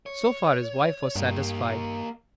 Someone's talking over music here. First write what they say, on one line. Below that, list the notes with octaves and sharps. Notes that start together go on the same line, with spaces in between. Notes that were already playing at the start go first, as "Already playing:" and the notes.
So far his wife was satisfied.
C#5
G2 A#3 G4